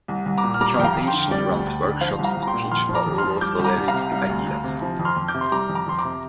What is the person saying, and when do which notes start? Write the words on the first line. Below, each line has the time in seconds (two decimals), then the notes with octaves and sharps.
The Foundation runs workshops to teach Paolo Soleri's ideas.
0.08 C2
0.26 C2
0.38 A#5 D6
0.44 A#2
0.54 F6
0.61 G3 A#5 D6
0.78 F2 G5
0.84 F5 A#5
0.96 F2
1.07 G5 C6
1.13 D3
1.31 G3 D5 G5
1.49 D2
1.67 D2
1.84 D3
2.01 F3 C5 F5
2.19 C2
2.24 F5 A#5
2.36 C2
2.43 A#5
2.47 G5 C6
2.54 A#2
2.71 F2 C6 F6
2.89 F3
2.95 A#5 D6
3.06 F2
3.18 C6 F6
3.24 F3
3.41 G3 D6 G6
3.59 C2
3.65 A#5 D6
3.77 C2
3.88 F5 A#5
3.94 C3
4.12 G3
4.30 D2
4.47 D2
4.64 C3
4.82 F3
4.99 F2
5.05 C6 F6
5.16 F2
5.28 D6 G6
5.34 C3
5.41 C6
5.52 G3 A#5 D6
5.69 F2
5.75 A#5 D6
5.86 F2 C6
5.98 A#5 D6
6.05 C3